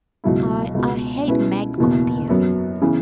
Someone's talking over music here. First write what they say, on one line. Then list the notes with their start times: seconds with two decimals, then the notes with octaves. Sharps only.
I--I hate Mag of the Alley.
0.24 C#2 B2 F#3 E4
0.75 C#2 B2 B3
1.27 B2 G#3 C#4 E4 B4
1.78 F#1 E2 B2 B3
2.29 F#2 F#3 B3
2.82 C#3 E3 B3